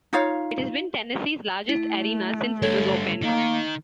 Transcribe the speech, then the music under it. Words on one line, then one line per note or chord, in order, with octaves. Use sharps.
It has been Tennessee's largest arena since it was opened.
D#4 F4 C#5 F5
A3 E4
G2 D3 A4 C#5 G#6
D#3 A#3